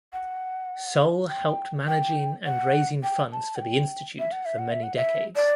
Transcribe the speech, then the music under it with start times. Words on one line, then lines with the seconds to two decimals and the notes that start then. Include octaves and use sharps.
Solh helped managing and raising funds for the institute for many decades.
0.13 F#5
1.29 G5
1.87 G5
2.46 F#5
3.03 G5
3.32 A5
3.56 F#5
3.61 G5
4.19 E5
4.32 F#5
4.45 E5
4.58 F#5
4.71 E5
4.83 F#5
4.96 E5
5.36 D5